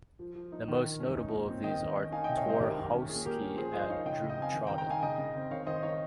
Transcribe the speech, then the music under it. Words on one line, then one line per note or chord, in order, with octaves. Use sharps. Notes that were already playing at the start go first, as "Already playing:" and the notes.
The most notable of these are Torhousekie and Drumtroddan.
F3
F3
D#4
D#3
D#3
C#4
D#4
A#2
C4
D#3 D#5 G5
D#3
C#4
D#4 F5 G#5
C3 D#5 G5
C#5 F5
G#3 C5 D#5
D#3 G4 A#4
D#3
C#4
A#2 G#4
A#2 G4 A#4
C#4
F3 G#4 C5
F3 C5 D#5
D#4 C#5 F5
C#3 D#5 G5
C#3
D#5 G5
C4 F5 G#5
D#3
G5 A#5
D#3
G5 A#5
D#4 F5 G#5
C#3 D#5 G5
C#3
C4
D#3 C#5 F5
D#3 C5 D#5
D#4 C#5 F5